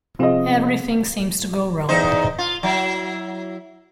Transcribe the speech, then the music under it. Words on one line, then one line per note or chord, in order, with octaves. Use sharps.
Everything seems to go wrong.
C3 F3 C4 F4 G#4 D#5
E2 D#4 C5
F4
F#3 E4